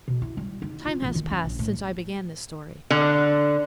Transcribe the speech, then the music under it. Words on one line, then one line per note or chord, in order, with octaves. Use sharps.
Time has passed since I began this story.
B2
E4
G3
D#4
F4
A1
D#3
C#4
A#1
A2
D3